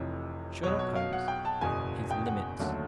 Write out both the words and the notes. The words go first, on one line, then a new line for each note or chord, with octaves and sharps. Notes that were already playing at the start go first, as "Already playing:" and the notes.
SHERLOCK HOLMES--his limits.
Already playing: F1 F2 C3 E3 C#5
B1 B2 F#3 C#5
C#5
F5
F#5
G5
A5
F#1 E2 B2 G#5
G5
F#5
D#2 D3 F#3 A3